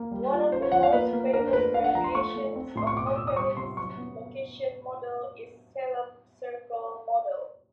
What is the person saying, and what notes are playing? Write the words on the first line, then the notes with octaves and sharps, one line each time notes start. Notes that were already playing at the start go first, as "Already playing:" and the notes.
One of the most famous variations of Hotelling's location model is Salop's circle model.
Already playing: A#3
G3
F4
C#4 C5
C#5
F3 F#5
F5
A#3 B4
A#3
D4 A#4
C5
A3 B4
D4 F5
F#5
F3 A#5
C6
A3 C#6
A3
C4
A2 C6
C#6
B2 D6
D#6
B2 E6
D#6
G3 C#6
C3 C6
F#3 C#6
B3